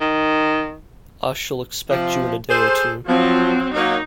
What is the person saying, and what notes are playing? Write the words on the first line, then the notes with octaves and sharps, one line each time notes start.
I shall expect you in a day or two.
D#3
C3 F3
G#4 A4 C5
F3 F#3 C4
F#3 A#3 D#4